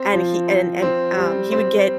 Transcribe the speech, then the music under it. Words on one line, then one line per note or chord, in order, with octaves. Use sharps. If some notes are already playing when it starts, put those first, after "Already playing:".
and he and and, um, he would get
Already playing: C4
F3
C4
C4
G3
C4